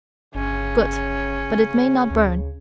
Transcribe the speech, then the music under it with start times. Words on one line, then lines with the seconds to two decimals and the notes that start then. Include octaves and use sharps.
Good, but it may not burn.
0.35 G1 C#3 C#4
2.11 D2 C#3